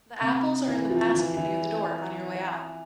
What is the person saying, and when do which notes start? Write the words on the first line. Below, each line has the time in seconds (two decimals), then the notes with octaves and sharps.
The apples are in the basket near the door on your way out.
0.21 C3
0.67 E3
0.90 F3
1.14 E3
1.37 E3